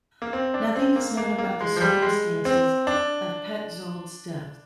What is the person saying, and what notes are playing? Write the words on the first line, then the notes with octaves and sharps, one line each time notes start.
Nothing is known about the circumstances of Petzold's death.
A#3
C4
D4
C4
A#3
A#3
A#3
G#3
F3
G3
G#3
C4
D4